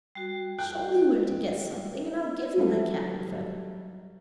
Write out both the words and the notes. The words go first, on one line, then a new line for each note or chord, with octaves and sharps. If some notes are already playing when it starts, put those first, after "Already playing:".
"Show me where to get something, and I'll give you my cap and feather."
G3 F#4
F4 G5 F#6
F#3 G3 A4 E5